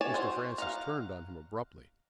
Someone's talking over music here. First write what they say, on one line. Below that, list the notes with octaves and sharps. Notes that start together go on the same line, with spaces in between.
Mr. Francis turned on him abruptly.
C#5 D5 G#5 A5
F#4 C5
F5 F#5 A#5